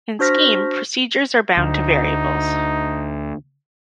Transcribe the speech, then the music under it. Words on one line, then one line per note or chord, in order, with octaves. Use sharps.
In Scheme, procedures are bound to variables.
D4 F#4 C5 F6 A#6 B6
D2 D#4